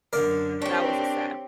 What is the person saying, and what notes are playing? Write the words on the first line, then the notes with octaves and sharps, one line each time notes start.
That was a sad
F#2 D3 A#4 D5
C4 D4 G4 C#5 G5